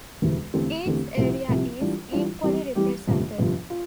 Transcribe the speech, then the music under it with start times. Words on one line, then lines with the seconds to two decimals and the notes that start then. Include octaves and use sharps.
Each area is equally represented.
0.22 E1 D2 C3 E3
0.54 E2 D3 A3 C4 G4
0.86 E2 D3 A3 C4 G4
1.17 C2 C3 F3 C4
1.48 C2 C3 F3 C4
1.81 E3 G3 D4 F4
2.12 E3 G3 D4 F4
2.43 E3 G3 C4 G4
2.75 E3 G3 C4 G4
3.07 G1 F2 C3 F3
3.38 G1 F2 C3 F3
3.70 F4